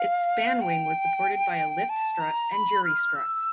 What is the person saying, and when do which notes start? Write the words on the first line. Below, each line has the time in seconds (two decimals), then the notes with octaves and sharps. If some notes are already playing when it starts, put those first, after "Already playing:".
Its span wing was supported by a lift strut and jury struts.
Already playing: F5
0.61 G5
1.89 A5
2.20 A#5
2.52 B5
2.84 F6
3.16 E6